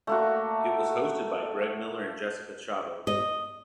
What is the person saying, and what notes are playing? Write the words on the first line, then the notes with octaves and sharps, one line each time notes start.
It was hosted by Greg Miller and Jessica Chobot.
A3 A#3 F#4
D#5